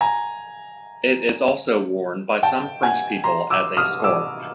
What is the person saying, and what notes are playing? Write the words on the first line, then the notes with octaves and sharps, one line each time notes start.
It is also worn by some French people as a scarf.
G#5 A#5
G5 A5
F#5 G#5
A#5 C6
D6 E6
D#6 F6
D6 E6